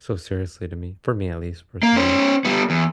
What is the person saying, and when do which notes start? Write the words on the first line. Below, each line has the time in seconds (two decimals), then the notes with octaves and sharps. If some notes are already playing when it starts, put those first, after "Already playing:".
so seriously to me for me, at least, personally.
1.83 A#3
1.96 C#4 C5
2.45 G3 B3
2.70 E2